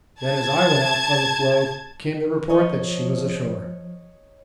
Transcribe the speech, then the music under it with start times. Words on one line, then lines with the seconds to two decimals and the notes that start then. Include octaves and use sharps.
Then as I went out on the floe came the report that she was ashore.
0.20 A5 G#6
2.49 F3 A#4 C#5 D#5